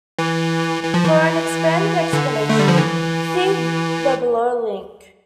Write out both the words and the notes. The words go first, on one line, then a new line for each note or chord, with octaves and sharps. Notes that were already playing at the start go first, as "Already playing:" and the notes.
For an expanded explanation, see the below link.
E3
E3
F3
E3
D3
A3
G3
F3
E3